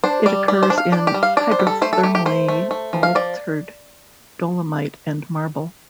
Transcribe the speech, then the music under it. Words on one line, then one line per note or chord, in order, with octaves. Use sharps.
It occurs in hydrothermally altered dolomite and marble.
D4 C5
G3 D5
G3 D5
C5
D4
F5
D4 D5
G4
G3
F5
D4 D5
C5
G3
A4
A3 C5
A4
A3 G4
G4
A3 C5
A3
A3
F3
F5
F3 D5